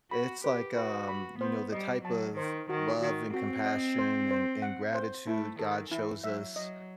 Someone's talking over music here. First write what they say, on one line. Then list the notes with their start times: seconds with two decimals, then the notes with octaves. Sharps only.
it's like, um, you know, the type of love, and compassion, and and gratitude God shows us,
0.11 F#4 B5
0.44 G4 B4
0.76 F#4 B4
1.08 B5
1.41 B3 C5
1.72 G3 D#5
2.05 F#3 A5
2.37 D#3 C5
2.69 D#3 F#4
3.02 D#3 F#4
3.33 C4 F#4
3.66 D#5
3.98 C5
4.31 C5
4.62 F#5
4.94 C5
5.27 A3 E4
5.59 D#3 A4
5.91 E3 E4
6.24 F#3 E5
6.56 F#3 D#5